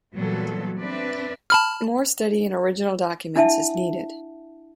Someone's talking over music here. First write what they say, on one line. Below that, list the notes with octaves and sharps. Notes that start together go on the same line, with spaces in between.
More study in original documents is needed.
A#2 E3 F#3 G3 B3 A4
C4 D4 B4 D5 E5
A5 B5 F6
D4 E4 E5 F#5 A5